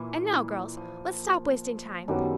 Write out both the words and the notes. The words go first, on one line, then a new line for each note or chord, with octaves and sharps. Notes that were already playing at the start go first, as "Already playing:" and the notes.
And now, girls, let's stop wasting time.
Already playing: A#2 E3 A#3
F3
F#2 D#3 F#3 G3 B3